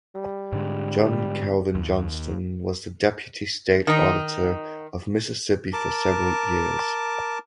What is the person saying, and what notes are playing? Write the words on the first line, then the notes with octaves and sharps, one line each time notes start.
John Calvin Johnston was the deputy state auditor of Mississippi for several years.
G3
G#2 D3 G#3
D#2
D#3 D#4
A#4 A5 D6